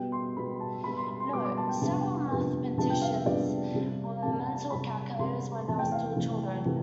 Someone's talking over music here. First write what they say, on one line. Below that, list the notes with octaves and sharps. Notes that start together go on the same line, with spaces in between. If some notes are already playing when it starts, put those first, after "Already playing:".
Note: Several mathematicians were mental calculators when they were still children.
Already playing: B2 G3 B3 G5
C6
B2 G3 B3 B5
A5
B2 G3 B3 B5
C6
B5
C6
B2 G3 B3 D6
D6
A5
G5
F2 C3 G3 B3 D4 A5
F2 C3 G3 B3 D4
F2 C3 G3 B3 D4 A5
G5
F5
E5
F2 C3 G3 B3 D4 D5
C3 G3 C4
C3 G3 C4 A5
A5
A5
C3 G3 C4 B5
C3 G3 C4 C6
E2 C3 E3 A3 A5
G5
F5
E2 C3 E3 A3
C3 E3 A3